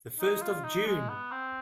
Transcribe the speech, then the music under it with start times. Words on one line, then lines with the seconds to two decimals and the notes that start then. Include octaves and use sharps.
The first of June!
0.20 D#4
0.42 F4
0.64 D#4
0.86 G#3
1.09 B3
1.31 C4